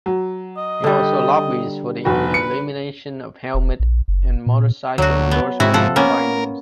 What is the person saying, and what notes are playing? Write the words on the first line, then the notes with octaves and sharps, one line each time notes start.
He also lobbies for the elimination of helmet and motorcycle endorsement requirements.
F#3
D#5
D3 G3
F1 F#4 B4
C#7
E1
A#1
F#1
A#2
D2 F#3 F#4
B3
G#2 C3 E4 F#4
F3 A4 F#5
A#3 B3 C#4 A#4